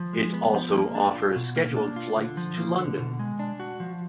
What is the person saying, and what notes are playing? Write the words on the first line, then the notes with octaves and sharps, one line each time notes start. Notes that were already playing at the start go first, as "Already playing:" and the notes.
It also offers scheduled flights to London.
Already playing: F3
G#3
B3
F3
A#3
D4
F4
B2
A#3
D4
F4
D3
F3
A#3
D3
B2
G#3
D4
F#4
F3